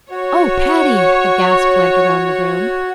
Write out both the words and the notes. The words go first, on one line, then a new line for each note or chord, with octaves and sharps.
"Oh, Patty!" a gasp went around the room.
F#4 C#5